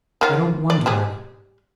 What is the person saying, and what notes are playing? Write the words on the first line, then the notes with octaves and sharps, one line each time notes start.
I don't wonder at it.
D#3 F4 F#5
D5
G3 G4 G#4